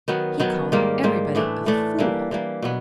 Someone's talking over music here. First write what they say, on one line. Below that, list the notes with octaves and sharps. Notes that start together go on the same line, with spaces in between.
He called everybody a fool.
D#3 F#3 B3
D#3 F#3 B3
G#2 D#3 G3 A#3
G#2 D#3 G3 A#3
A2 E3 A3 D4
A2 E3 A3 D4
E3 G3 A#3
E3 G3 A#3
B2 F#3 B3